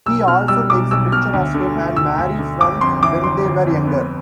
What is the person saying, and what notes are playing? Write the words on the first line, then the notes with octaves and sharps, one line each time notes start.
He also takes a picture of him and Marie from when they were younger.
B1 E6
B2 F6
G3 E6
B1 D6
B1 E6
B2 F6
D2
D3
A3
D2 E6
D2
D3
G1 D6
F2 C6
E3 D6
G1 C6
G1
F2
B3